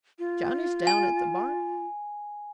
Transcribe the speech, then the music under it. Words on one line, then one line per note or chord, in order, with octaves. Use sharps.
Johnny's down at the barn.
F4
G#5